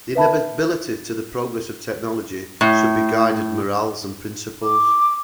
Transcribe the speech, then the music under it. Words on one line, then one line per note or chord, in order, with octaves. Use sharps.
The inevitability to the progress of technology should be guided morals and principles.
B4 E5 A5 B5
A2
D6